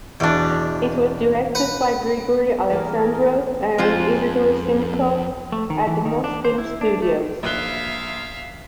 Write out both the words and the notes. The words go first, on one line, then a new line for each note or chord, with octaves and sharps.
It was directed by Grigori Aleksandrov and Isidor Simkov at the Mosfilm studios.
E2 B2 D4
B4 F#5
E3 A#3 G4 G#4 A#4 D5
F2 G#3 F4 C5
A3
D#3
E3
D#3
D4
C5
E4
D4
A3
A#1 E5 F5 F#6 G7